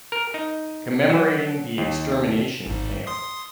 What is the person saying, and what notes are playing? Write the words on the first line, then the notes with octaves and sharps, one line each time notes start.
Commemorating the Extermination camp.
A#4
D#4
F#3
D#2
G#1 G#2
C6 D#6 C7